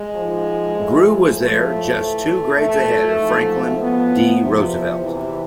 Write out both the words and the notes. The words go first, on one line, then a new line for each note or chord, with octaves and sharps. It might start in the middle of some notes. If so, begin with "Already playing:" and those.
Grew was there just two grades ahead of Franklin D. Roosevelt.
Already playing: G#3
G#2 F3
A2 F3
A2 F3 A3
A2 E3
F2 E3 A3
G#2 F3
A2 F3 B3
E2 C3 F3
E2 C3 E3